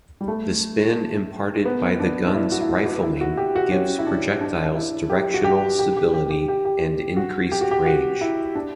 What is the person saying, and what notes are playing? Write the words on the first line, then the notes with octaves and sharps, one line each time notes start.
The spin imparted by the gun's rifling gives projectiles directional stability and increased range.
G3
A3
B3
D4
D4
E4
F#4
E4
F#4
F#4
E4
F#4
G4
F#4
C#4
E4
D4
D4
D4
E4
G4
F#4
G4
G4
G4
G4
G4
G4
G4
F#4
G4
F#4
G4
F#4
E4
D4